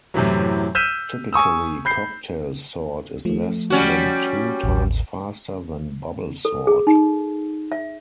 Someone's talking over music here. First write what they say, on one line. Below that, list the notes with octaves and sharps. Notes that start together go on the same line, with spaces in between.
Typically cocktail sort is less than two times faster than bubble sort.
F#2 A2 C3 E3 F#3
E6 F6 G6 B6 D#7 E7
G#5 C#6 D#6 E6
B5 G6 C7
F3 A3
G3 C#4 F#4
A1 D#2
A4
G#4
D#4
E5